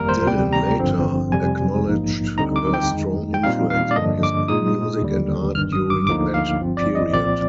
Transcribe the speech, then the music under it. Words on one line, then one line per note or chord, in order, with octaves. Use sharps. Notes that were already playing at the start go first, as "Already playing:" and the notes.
Dylan later acknowledged her strong influence on his music and art during that period.
Already playing: G1 F2 D#3 G3 A#3 A#4
C5
D2 C3 G3 C4 G5
A#5
G#1 G2 D3 F3 C4
F2 C3 G3 G#5
A#1 G#2 F3 A#3 D#4
D2 D3 G3 C4 D#4 A#5
D6
G5
F2 D#3 G#3 D#4
G5
A#2 G3 C4 D#4 F5
F5
D5
G2 D3 F3 A#3 D4 D#5
D6
A#2 G#3 D#4 D#6
D#2 D3 G3
G1 G2 D#3 F6
D#6
D6
D2 D3 F3 A#3 D#4 D6
F5
G1 G2 F3 C4
D5
D#5
C2 A#2 F3 C4 D5